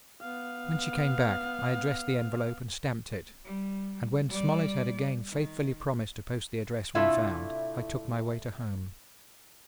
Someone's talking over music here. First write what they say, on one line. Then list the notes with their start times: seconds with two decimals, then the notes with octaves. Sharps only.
When she came back, I addressed the envelope and stamped it, and when Smollet had again faithfully promised to post the address when found, I took my way to home.
0.21 B3 F5
3.45 G3
4.29 G3 D5
5.28 D#3
6.95 A2 C3 A3 D4 E4 F4